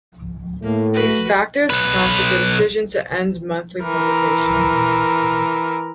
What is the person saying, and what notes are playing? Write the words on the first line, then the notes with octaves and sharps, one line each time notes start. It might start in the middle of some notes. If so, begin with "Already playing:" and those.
These factors prompted the decision to end monthly publication.
A2 A3 A#3
F#4 B4
B1 B4
E3 A#4